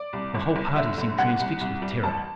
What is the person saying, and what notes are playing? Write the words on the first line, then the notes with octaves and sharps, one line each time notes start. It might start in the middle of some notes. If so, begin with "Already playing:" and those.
The whole party seemed transfixed with terror.
Already playing: D5
C2
G1
G1
D3 E5
G1
C2 F#5
C2
C2
G3
A1 A5